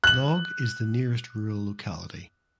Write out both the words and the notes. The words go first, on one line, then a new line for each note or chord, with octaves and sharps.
Log is the nearest rural locality.
F#6 F#7